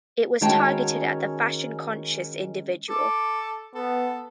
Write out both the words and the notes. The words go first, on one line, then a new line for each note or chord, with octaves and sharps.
It was targeted at the "fashion conscious" individual.
D#3 G#3 C#4 F#4 G5 A5
A4 D6
B3 A4